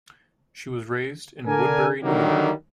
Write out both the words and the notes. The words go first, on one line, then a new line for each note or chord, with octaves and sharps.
She was raised in Woodbury, New York.
D3 D4 A#4 G#5
D3 D#3 F#3 G3 A#3